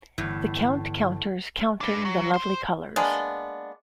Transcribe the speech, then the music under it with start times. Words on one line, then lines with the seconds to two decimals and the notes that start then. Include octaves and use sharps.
The Count counters, counting the "lovely colors".
0.18 G1 E2 A2
1.81 D4 B4
2.05 F#3
2.34 C5 C6
2.96 G#3 A#3 B3 D4